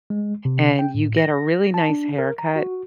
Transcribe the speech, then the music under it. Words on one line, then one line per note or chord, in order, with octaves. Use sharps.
and you get a really nice haircut,
G#3
C3
G5
A2
A#6
A5
D4
A#4
A#5
F#4